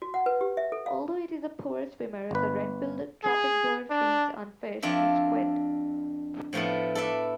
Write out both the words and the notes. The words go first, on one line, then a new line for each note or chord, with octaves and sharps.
Although it is a poor swimmer, the red-billed tropicbird feeds on fish and squid.
F#4
F#5
B4
G4
E5
A4
F5
G1 B4
G#4
D4
F2 D4 F4 E5
A2 F3 A3 B3 E4
A4 B4 D5 E5